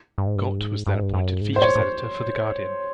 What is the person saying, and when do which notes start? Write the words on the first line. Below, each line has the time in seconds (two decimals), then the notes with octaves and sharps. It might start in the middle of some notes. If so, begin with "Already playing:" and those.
Gott was then appointed features editor for "The Guardian".
0.18 G2
0.27 G#2
0.36 G2
0.59 G#2
0.87 G2
0.95 G#2
1.03 G2
1.14 F#2
1.41 G#2
1.56 C5
1.62 A2 C#5
1.75 A2